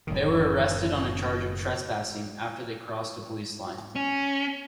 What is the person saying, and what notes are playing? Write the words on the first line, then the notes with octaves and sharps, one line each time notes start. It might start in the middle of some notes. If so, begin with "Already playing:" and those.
They were arrested on a charge of trespassing after they crossed a police line.
F#1 F#2 A2 D#3
C#4